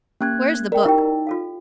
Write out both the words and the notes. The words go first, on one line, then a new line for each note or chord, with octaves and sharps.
Where's the book?'
A#3 C#4 G4 A5 F#6 G#6
A#4 D5 G5
D#4 E4 G4 G5
F4 A4 F5